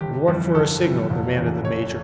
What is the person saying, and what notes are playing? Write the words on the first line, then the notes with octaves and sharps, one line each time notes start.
"And what for a signal?" demanded the major.
G1 G4
F2 E3 G3
G1 A4
F2 E3 G3
F1
E2 C#3 E3
F1 C#5